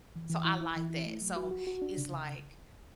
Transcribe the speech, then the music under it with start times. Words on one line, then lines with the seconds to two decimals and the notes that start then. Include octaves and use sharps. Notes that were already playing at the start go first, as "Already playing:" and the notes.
so I like that. So it's like
0.16 E3
0.30 E3
0.45 E4
0.61 E4
0.76 E3
0.90 E4
1.06 A3
1.22 F#3
1.36 F#4
1.51 F#4
1.67 F#4
1.82 D4
1.97 C#3